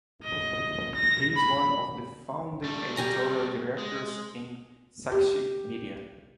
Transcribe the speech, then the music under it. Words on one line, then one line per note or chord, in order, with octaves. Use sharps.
He is one of the founding editorial directors in Sakshi Media.
D#5
A#6
B5
G3 A3
G4 G#5 A#5
G#3
G4